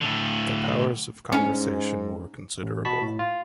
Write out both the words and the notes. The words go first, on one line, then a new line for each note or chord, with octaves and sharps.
Their powers of conversation were considerable.
A2 D3
G#2 C#4
A1
B2 B3 A5 B5 C#6 B6
A2
F4